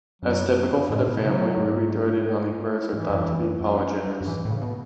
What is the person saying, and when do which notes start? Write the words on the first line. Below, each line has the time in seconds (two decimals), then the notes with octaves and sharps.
As typical for their family, ruby-throated hummingbirds are thought to be polygynous.
0.22 F#2 F#3
0.90 A2 G#3
1.07 B2
1.24 C#3 F#3
1.41 B2
1.58 G#2
2.93 G#2 E3
3.10 F#2
3.27 E2
3.44 F#2
3.61 F#2
4.21 F#2
4.27 G#2 E3
4.45 A2 C#3
4.62 B2